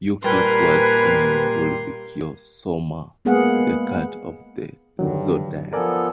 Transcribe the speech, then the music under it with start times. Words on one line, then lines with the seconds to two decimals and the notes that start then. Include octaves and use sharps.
Yuki's worst enemy would be Kyo Sohma, the cat of the zodiac.
0.23 A#2 G3 A#4 B4 G#5 C6
3.25 G#3 A#3 B3 G#4 F5 F#5
4.99 G2 D3 D#3 F#3
5.73 F3 B3 A4 A#4 D5 G#5